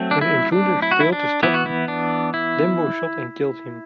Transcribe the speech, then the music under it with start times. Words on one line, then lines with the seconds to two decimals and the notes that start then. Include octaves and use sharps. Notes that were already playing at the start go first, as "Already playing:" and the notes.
When the intruder failed to stop, Dembo shot and killed him.
Already playing: F#3 A3 C4
0.11 D4
0.21 E4
0.52 D4
0.82 E4
0.91 F#4
1.00 E4
1.13 D4
1.43 E3 B3 E4
1.54 F#4
1.66 E4
1.88 D4
2.34 E4